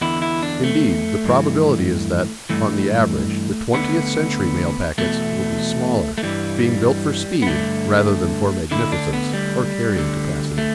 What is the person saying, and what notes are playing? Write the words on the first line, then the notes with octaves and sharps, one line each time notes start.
Indeed the probability is that, on the average, the twentieth century mail-packets will be smaller, being built for speed rather than for magnificence or carrying capacity.
E2 D3 E4
E4
D4
A3
G2 E3
G2 E3 A3
D2 D3 B3
E2 B2 A3
A3
G2 E3 G3
B3
G2 D3 A3
D2 D3 E4
D4
B3
G3
D2 D3
A3